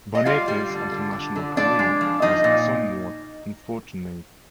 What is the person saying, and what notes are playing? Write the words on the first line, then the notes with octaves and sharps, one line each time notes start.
Bonetti's international career was somewhat unfortunate.
D#5
G3 F4 F5
G3
D3
D3
D3
D3
F3 D4 D5
G#3
F3
F3 D#4 D#5
A#2